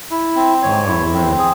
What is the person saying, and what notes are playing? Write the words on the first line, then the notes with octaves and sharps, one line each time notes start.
Oh, man.
E4
C4
C#5
E4
C4
G#4